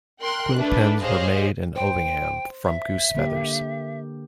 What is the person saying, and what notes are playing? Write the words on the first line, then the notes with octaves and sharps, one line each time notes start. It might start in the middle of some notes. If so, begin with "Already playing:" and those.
Quill pens were made in Ovingham from goose feathers.
A#4 G5 C6 F#6
A3 D4 B4
G4 G#4 C5 C#5 D#5 F5
C5 G5
E5
D3 A#3 G4